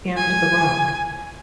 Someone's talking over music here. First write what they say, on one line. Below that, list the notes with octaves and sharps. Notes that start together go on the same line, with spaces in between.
And the rock.
G#5